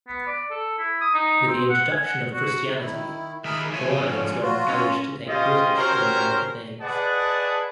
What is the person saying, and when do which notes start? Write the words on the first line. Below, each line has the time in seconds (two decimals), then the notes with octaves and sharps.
With the introduction of Christianity, Hawaiians were encouraged to take British or American names.
0.08 B3
0.27 D5
0.51 A4
0.79 E4
1.01 D#6
1.14 D#4
1.47 C4
1.70 F#5
1.92 G#5
2.06 F#5
2.33 F#4
2.79 D#3 E4
3.44 D#3 G#4 A#4 E5 B5
3.72 F3 A3 C#5 G#5
4.02 D3 C#4
4.42 F#3 F4 F#4
4.68 C#4
5.27 C#4 F4 G4 C5 D#5 G5
5.76 C#4 F#4 G4 A#4 C5 C#5
6.81 G#4 B4 D5 D#5 F#5 A5